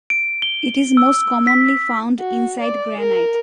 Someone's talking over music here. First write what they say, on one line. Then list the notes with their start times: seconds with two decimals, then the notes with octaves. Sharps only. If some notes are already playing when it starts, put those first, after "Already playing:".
It is most commonly found inside granite.
0.10 D7
0.42 G7
0.97 E6
1.47 B6
2.19 F#4
2.60 D5
3.00 A#4